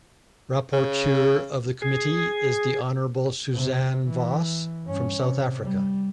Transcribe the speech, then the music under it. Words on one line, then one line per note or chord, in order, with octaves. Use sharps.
Rapporteur of the Committee is the Honorable Suzanne Vos from South Africa.
C#3
G#4
C3
E3
G2 C#4
C3
G3